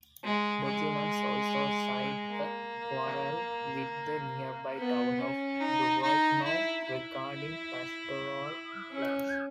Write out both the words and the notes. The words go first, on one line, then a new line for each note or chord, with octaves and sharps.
Documents also cite a quarrel with the nearby town of Bovegno regarding pastoral lands.
G#3
G#3
A#3
B3
C#4
D#4
D#4
E4
E4
C#4